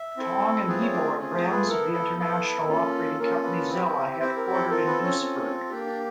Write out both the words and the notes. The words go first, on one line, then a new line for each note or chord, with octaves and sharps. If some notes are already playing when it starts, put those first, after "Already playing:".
Ytong and Hebel are brands of the international operating company Xella headquartered in Duisburg.
Already playing: E5
C4 E4 A4
A3 B3 C4 F4 G#4 B4
C#5
D4 D5
A3 C4 C#4 F4 G#4 C#5
C4 C5
B3 B4
B3 E4 A4 A#4
A4
B3 E4 A4
A#3 C#4 F4 A4
A#3 C#4 F4 A4 A#4
B3 B4
C4 E4 G4
C4 E4 G4 C5
A#4
A4
C4 F4 A4 A#4
B3 B4
C#4 C#5
C4 F4 A4
A#3 D4 G4 D5
D4 D5